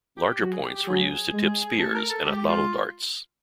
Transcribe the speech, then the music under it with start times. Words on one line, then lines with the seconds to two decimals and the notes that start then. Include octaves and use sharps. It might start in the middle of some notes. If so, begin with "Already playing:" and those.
Larger points were used to tip spears and atlatl darts.
0.17 G4
0.40 F#3 F#4
0.52 G#4
0.63 G4
0.75 G4
0.87 F#3 G#4
1.33 G#3
1.79 A3 A4
1.94 A#4
2.10 A4
2.25 G#3 G4
2.48 F4